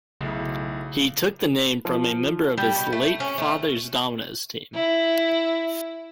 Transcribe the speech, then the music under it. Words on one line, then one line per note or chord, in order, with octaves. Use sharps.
He took the name from a member of his late father's dominoes team.
B1 C#3 A3 E4
F3
G3
B2
A3
C#4
A3
E4